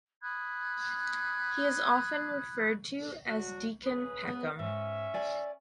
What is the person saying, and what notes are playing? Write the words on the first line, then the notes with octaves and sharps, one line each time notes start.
He is often referred to as Deacon Peckham.
B5 D#6 F#6 G#6
F#3 D4 F#4
C#3 G#4 B4
B3
G#2 C#4 E5
D5 G#5